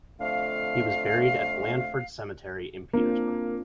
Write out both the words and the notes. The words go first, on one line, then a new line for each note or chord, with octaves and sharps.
He was buried at Blandford Cemetery in Petersburg.
F2 D3 A3 F5
A#3 C4 D4 F4